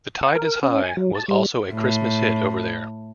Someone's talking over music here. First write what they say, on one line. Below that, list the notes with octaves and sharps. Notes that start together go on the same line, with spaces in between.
"The Tide Is High" was also a Christmas hit over there.
F#5
A#4
C#4
G#5
F#3
A5
G3
A2